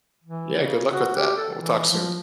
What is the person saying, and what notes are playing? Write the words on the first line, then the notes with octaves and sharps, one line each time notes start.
Yeah. Good luck with that. We'll talk soon.
E3
C#3
F#4
G4
A4
E3
F3